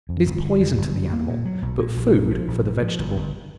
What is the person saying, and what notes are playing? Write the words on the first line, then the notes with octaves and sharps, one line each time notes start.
It is poison to the animal, but food for the vegetable.
F2
G1
D3
F2
G1
F#3
A#3
A#2
F#3
B1
A#2
A#1
A#1
F3
A#1
A2
F3
G1
G1